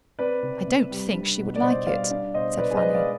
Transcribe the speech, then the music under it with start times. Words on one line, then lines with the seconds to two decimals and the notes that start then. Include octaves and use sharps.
"I don't think she would like it," said Fanny.
0.19 C4 B4 D5
0.42 C3
0.67 C3
0.90 G3
1.14 D4
1.39 B2
1.56 D5
1.62 B2 C5 D#5
1.86 G3 D5 F5
2.10 D4 D5 F5
2.34 B2 C5 D#5
2.58 B2 B4 D5
2.70 G#4 C5
2.77 D#5
2.82 G#3 B4 D5
2.94 D5 F5